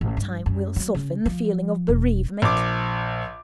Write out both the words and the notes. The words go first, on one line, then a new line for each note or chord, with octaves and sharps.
Time will soften the feeling of bereavement.
A1
G2
F#2
F#3
C#3
F3
E1
A#1 D6